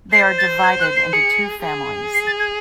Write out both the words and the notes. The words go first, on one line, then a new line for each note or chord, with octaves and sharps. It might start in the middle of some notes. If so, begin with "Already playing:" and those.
They are divided into two families.
C5 C7
A6
G#6
F#6
C7
G#4 C#7
G#4
C7
A6
G#6